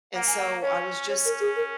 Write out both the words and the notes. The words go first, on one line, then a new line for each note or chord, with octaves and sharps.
and so I was just
A#3 F#5
G#5
F#5
C#4 C#5
C#4 C#5
A#4
G#4
A#4